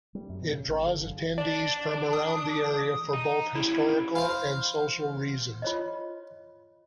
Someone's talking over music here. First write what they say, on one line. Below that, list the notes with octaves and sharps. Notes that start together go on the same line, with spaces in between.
It draws attendees from around the area for both historical and social reasons.
G3
F#2
B2
C#3
G#1
D3
F#1
D4 D5
D#6
D#4
C#3 G3 E4
C5 F5 B5
F4 C#5 D#5